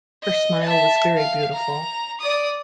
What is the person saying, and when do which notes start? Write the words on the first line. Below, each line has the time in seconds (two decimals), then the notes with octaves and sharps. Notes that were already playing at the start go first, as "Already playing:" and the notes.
Her smile was very beautiful.
0.23 D#5
0.63 E5 A5
1.17 F5
1.53 A#5
2.20 D5 D#6